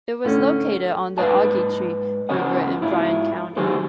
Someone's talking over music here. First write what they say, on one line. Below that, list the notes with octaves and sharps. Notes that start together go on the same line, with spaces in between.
It was located on the Ogeechee River in Bryan County.
A2 D3 C#4
G#2 B4 D5 D#5 A5
C#3 C#4 C5 D#5 F#5
G#2 E4 F4
C#2 D#3 F#3 G4 G#4 C5